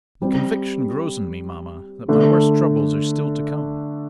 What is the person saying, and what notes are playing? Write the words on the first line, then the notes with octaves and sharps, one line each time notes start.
The conviction grows on me, mama, that my worst troubles are still to come.
G3 C4 G4
D3 A3 D4